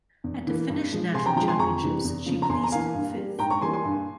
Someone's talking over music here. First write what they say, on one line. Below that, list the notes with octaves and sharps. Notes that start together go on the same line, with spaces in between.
At the Finnish national championships she placed fifth.
E2
E3 A#3
G2
F3 G#3
C3 G#5 C6
G5 A#5
F3 G#3 G5 A#5
G#5 C6
F2 A#5 C#6
C3 E3 G3
E2
C#3 F3
A#5
E2 G#5 C6
A#5
E3 A#3 F5 G#5
G2
G3 A#3
G#2 G5 A#5
A#5 C#6
E3 G3 A#3 G#5 C6
G#5 C6
G2